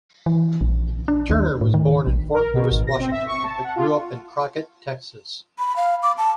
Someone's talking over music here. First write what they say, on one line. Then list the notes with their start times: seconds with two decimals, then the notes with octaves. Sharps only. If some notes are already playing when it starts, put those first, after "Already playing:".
Turner was born in Fort Lewis, Washington, but grew up in Crockett, Texas.
0.26 E3
0.61 A#1
1.08 D4
1.30 D#2
1.61 A2
1.74 D#3
2.07 A#1
2.34 A#4
2.54 B2
2.71 G#1
2.87 A#6
3.00 C4
3.11 E5
3.27 C#6
3.44 A5
3.64 F#5
3.76 F4
5.59 B5
5.76 F5
6.03 D6
6.18 A5